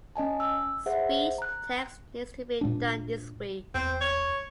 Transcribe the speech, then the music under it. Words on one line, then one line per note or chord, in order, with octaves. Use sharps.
Speech to text needs to be done this week.
C#4 D#5 G#5 A5
E6
G#4 C5 E5 F#5
A#5 F#6
A#2 G#3 D4
E2 C4
C#5